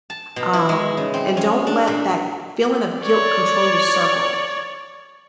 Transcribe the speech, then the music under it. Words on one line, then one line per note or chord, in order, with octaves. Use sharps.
Um, and don't let that feeling of guilt control your circle,
A5
B2
E4
G#3
C#3
C4
C#4
D4
A#2
C#5 D5